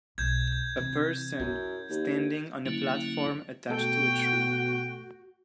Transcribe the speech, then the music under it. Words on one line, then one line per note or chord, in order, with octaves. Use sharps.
A person standing on a platform attached to a tree.
B1 G6 G#6
C3 E3
F#2 E4
D#2
D3 F#3 A#3 C#4 E4
B2 A3 F#4 A4 G5 G6